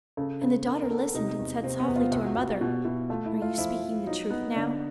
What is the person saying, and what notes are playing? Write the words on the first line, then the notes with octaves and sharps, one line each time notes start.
And the daughter listened, and said softly to her mother: 'Are you speaking the truth now?'
C#3 A4
C#3 C5
C#3 A#4
A#4
B3 A4
C3 D#4
E2
C3 C4
B3
E2
F4
C2 F4
F#4
C2 F#4
G4
B2 F#4
B2 E4
A3 F4
E4
A3
F4
F3 E4
F3
F#3 D#4
B3 D#4
D3 D4